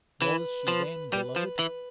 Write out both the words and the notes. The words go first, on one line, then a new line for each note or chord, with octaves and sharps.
Was she then beloved?
E3 B4
F3
G3 B4
F3
E3